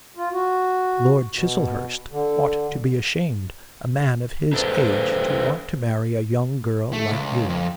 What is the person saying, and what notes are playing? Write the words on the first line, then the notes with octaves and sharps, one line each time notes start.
Lord Chiselhurst ought to be ashamed, a man of his age to want to marry a young girl like you.
F4
F#4
B2
D3
D#4 A4 B4 C5
A3
C#2
F2